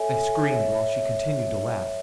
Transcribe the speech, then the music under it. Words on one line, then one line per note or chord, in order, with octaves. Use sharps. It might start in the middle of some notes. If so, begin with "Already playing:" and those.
I screamed while she continued to laugh.
Already playing: A4 C#5 E5 G#5
C#5 E5